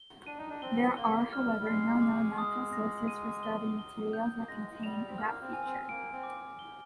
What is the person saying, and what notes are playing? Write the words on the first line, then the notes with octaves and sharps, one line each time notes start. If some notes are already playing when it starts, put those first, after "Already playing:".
There are however no known natural sources for starting materials that contain that feature.
Already playing: G7
D4 D#7
D#4
D4
C4 G7
A#3 G7
G3 F6
G3
G#3 C7
D6
D#6
A#6
D#7
G7
G7
G6
A#3
G#3 A#6
G#3
G3 F7
C4
A#3 F6
C4
G#5
C4
C4
A#3 D7
C4
D6
G7